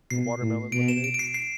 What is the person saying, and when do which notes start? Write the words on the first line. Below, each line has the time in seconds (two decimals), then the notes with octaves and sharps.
a watermelon lemonade.
0.11 B2 C7
0.42 A2
0.72 B2 D7
0.88 E7
1.04 D7
1.14 D7
1.19 C7
1.34 C7